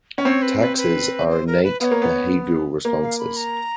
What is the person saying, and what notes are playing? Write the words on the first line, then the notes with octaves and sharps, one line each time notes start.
Taxes are innate behavioural responses.
C#4
C4 C#5
B4
B4
B4
C5
A#4
B4
B3 C#5 F5
A#3
B3
A#3
F5
B5
A#5